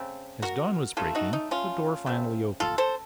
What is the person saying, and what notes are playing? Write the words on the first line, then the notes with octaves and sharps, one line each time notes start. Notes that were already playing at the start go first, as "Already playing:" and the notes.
As dawn was breaking, the door finally opened.
Already playing: C#3 A3 C4
F#4 A#4
C#3 A3 C#4 F4 A4
D#4 F#4
D#4
C#4 F4
C#3 A3 C4
F4 A4
A4 C5